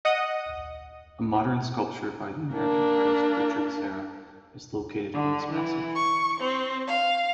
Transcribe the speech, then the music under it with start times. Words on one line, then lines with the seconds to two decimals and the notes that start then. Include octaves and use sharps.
A modern sculpture by the American artist Richard Serra is located on this passage.
0.05 D#5 F#5 D#6
2.54 A#3 D4
5.13 D3
5.51 E3
5.95 C#6
6.40 C4
6.87 F5